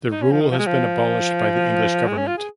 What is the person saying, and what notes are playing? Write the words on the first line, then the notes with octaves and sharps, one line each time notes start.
The rule has been abolished by the English Government.
D#4
C#4
F3
D#3
F3
G#3
F3
G#3
C#4
F4
G#4